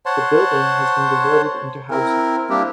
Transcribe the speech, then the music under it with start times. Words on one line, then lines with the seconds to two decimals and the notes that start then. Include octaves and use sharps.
The building has been converted into housing.
0.06 C5 C#5 F#5 A5 C6
1.91 C4 E4 A#4
2.50 G3 A#3 C4 D4 E4 G4